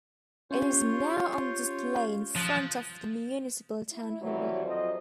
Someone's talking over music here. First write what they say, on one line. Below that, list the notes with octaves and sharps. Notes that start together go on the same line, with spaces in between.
It is now on display in front of the Municipal Town Hall.
C#4 F4 G4 C5 C#5
F3 D#6 F#6
E4
D#2 C3 E3 F#3 G3
F2 F#3 F4 C5 D#5